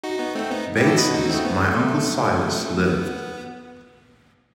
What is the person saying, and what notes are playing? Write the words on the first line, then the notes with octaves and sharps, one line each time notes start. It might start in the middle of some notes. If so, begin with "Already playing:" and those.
Bates's "My Uncle Silas" lived.
D#4 F#4
B3 D#4
A3 C4
B3 D#4
E4 G4
F#4 A4
B4 D#5
D#4 F#4
A3 C4
B3
A3
B3